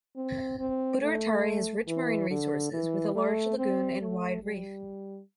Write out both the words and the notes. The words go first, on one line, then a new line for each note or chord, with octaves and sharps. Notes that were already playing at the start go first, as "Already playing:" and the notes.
Butaritari has rich marine resources, with a large lagoon and wide reef.
C4
C4
A3
E3
D3
E3
A3
C4
A3
G3